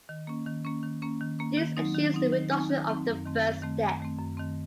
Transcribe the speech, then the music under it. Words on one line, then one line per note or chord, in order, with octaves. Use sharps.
This achieves the reduction of the first step.
D#3
A#3 C#4
D#3
A#3 C#4
D#3
A#3 C#4
D#3
A#3 C#4
D#3
F#3 C4 D#4
D#3
F#3 C4 D#4
D#3
F#3 C4 D#4
D#3
F#3 C4 D#4
F#2
D#3 A3 C4
F#2
D#3 A3 C4
F#2
D#3 A3 C4
F#2
D#3 A3 C4